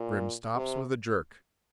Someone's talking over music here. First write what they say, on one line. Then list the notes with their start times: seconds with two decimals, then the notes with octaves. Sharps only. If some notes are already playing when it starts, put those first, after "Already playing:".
Grim stops with a jerk.
Already playing: A#2
0.56 C3